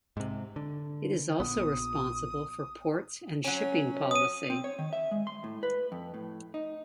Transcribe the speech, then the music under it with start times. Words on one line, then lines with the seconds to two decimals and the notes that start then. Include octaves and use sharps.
It is also responsible for ports and shipping policy.
0.17 G#2 C3
0.56 D3
1.40 A#1 B3 D#6
3.45 F#3 C#4
4.11 D#6 D#7
4.50 C4
4.64 C#5
4.79 D#3
4.93 E5
5.11 G#3
5.27 C6
5.44 A2
5.63 B4
5.92 F2
6.14 A2
6.54 D#4